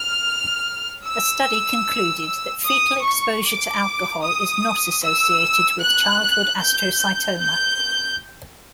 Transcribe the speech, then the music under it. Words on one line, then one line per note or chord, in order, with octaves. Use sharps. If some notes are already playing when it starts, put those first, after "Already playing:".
A study concluded that foetal exposure to alcohol is not associated with childhood astrocytoma.
Already playing: F6
E6
D#6
C#6
D6
D#6
E6
F#6
G6
G6
G6